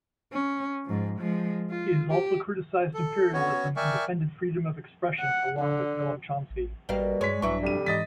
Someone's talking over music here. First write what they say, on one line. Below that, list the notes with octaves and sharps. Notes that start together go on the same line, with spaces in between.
He has also criticized imperialism and defended freedom of expression along with Noam Chomsky.
C#4
G#2 F3
F3 G#3
F4
G4
A4
B3 C#4 F#4 C#5
A#4 D5 E5 G5 G#5 C#6
F#5
D3
A1
A1 B2 G3 A#3 F5
G2 G#3 C#5 B6
A#1 G2 E3 F#3 E4 C#6
F1 G3 D#7
G#2 E3 D#5 A6 B6